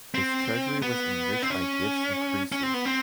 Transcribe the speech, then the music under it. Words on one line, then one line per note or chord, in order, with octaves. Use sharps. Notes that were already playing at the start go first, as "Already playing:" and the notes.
Its treasury was enriched by gifts from Croesus.
C4
B3
C4
C#4
C#4
C4
B3
C4